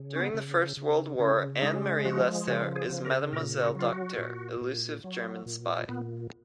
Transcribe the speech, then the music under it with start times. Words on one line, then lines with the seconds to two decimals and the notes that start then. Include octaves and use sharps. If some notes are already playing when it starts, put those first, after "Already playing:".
During the First World War, Anne-Marie Lesser is Mademoiselle Docteur, elusive German spy.
Already playing: C#3
0.15 C#4
0.20 B3
0.34 C#3
0.77 C#3
1.19 C#3 C#4
1.62 G#3 D#4
2.05 F3 F#4
2.47 C#3 F#4
2.76 G#4
2.90 C#3
3.05 A#4
3.32 A#2 A#4
3.61 F#4
3.75 F#3 F4
3.89 F#4
4.18 A#2
4.61 A#2
5.04 F#3
5.46 A#2
5.89 A#2 B3